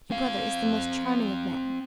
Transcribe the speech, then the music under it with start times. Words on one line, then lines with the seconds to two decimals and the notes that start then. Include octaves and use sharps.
Your brother is the most charming of men.
0.11 C4 F5